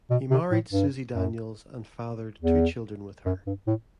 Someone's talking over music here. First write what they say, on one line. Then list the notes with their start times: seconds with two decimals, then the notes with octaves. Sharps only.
He married Suzy Daniels and fathered two children with her.
0.10 B2
0.31 C3
0.52 A2
0.72 G2
1.15 F#2
2.41 E2
3.26 F#2
3.47 G2
3.67 A2